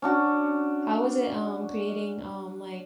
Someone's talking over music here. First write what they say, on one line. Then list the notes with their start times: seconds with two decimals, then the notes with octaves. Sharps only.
How was it, um, creating, um, like,
0.02 C#4 D4 F#4